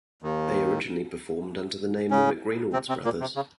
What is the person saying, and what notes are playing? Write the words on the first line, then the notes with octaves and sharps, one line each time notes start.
They originally performed under the name, The McReynolds Brothers.
D#2 D#3
C#3 C#4
C3 C4
C3 C4
A#2 A#3
C3
C#3